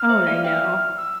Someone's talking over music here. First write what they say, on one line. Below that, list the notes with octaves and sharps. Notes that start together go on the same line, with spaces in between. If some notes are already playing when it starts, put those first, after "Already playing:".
Oh, and I know.
Already playing: F6
C5 E5
D5 F5
E5 G5 F6
E6